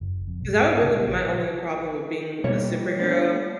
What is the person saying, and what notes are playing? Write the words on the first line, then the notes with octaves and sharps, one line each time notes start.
'Cause that would really be my only problem with being a superhero
F#1
F2
B1
G#2
A#2
C#3
A#1
B2 G3 A#3 C#5
A3 B3 D4